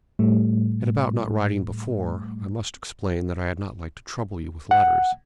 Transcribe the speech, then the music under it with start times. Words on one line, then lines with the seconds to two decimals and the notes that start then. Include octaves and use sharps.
And about not writing before,--I must explain that I have not liked to trouble you with letters.
0.19 A2 G3 A3
4.71 F#5